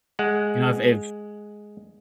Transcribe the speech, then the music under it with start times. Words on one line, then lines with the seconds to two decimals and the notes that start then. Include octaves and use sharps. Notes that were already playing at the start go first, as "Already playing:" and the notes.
You know, if if
0.19 G#3 F#5